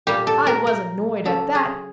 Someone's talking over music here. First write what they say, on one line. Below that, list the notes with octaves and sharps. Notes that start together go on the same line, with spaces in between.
I was annoyed at that.
A#2 G3 A#3 G4
A4
A#4
A#4
C#3 F#3 A#3 A4
G#4